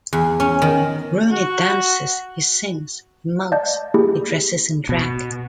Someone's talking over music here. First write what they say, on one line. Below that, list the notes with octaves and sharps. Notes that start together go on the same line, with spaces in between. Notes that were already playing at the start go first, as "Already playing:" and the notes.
Rooney dances, he sings, he mugs, he dresses in drag.
E2
C#4
D#3
F#4
D5 D#5 F5 A5 G6
A#3 E4 G4 G#4
B2